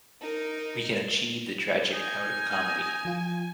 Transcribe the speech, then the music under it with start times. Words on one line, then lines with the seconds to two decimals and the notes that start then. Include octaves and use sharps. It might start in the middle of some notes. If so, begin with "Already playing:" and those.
We can achieve the tragic out of comedy.
0.21 D#4 A#4
1.93 D#4 G#5
3.05 F3 F4